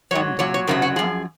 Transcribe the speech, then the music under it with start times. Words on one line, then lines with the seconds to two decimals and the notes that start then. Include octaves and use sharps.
"From Dongola?"
0.11 F#3 C#5
0.15 G#2
0.39 A#2 F#3 C#5
0.54 C#5
0.67 F#2 C#3 F#3 A#4
0.82 F#4
0.96 F#2 F3 G#4